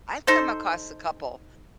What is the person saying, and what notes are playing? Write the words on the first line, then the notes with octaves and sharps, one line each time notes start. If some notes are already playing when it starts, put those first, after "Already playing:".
I've come across a couple,
D#4 A4 C5